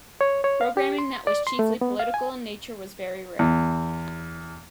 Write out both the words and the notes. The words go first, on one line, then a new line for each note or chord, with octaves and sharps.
Programming that was chiefly political in nature was very rare.
C#5
C#5
F5
G4
C6
D5
C6
A3
B3
F5
G#5
E2